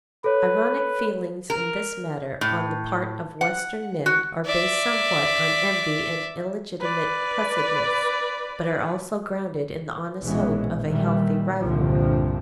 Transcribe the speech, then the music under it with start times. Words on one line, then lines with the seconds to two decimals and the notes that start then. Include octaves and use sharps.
Ironic feelings in this matter on the part of western men are based somewhat on envy and illegitimate cussedness, but are also grounded in the honest hope of a healthful rivalry.
0.24 A4 B4 C#5
1.50 A#4
2.41 A2
3.41 F#5
4.06 F#4
4.46 D5 E5
6.80 B4 D5
10.21 A#1 B2 E3 G#3 C#4
10.87 A#2 D#3 E3 G3
11.60 C2 G2 A#2 D3 F3